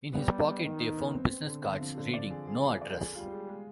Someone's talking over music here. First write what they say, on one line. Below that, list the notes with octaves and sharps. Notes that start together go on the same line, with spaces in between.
In his pocket they found business cards reading, No Address.
G3 B3
G4
B3
D#3 D#4
D#4
B3
C4
C4
D3
D3 F3
C4
D3
D5
G#4
G#4
G#4
D5
G#4
G3 F4
G#3
G#3